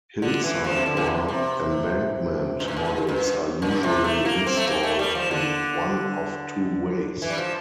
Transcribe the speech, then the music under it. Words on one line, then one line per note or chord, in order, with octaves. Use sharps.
Hillside or embankment models are usually installed in one of two ways.
D3
E3
F3
C3
D3
A#2
C3
C3
G2
A2
A#2
G2
A#2
C3
A3
A#3
C4
A3
A#3
A3
G3
F3
D3
E3
G3
F3